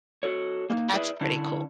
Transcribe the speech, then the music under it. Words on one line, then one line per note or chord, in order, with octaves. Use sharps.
So, that's pretty cool.
F#4 A4 C#5
A#3 C#4 D#4
E4 G#4 B4 D5 E5
D3 C#4 D4 E4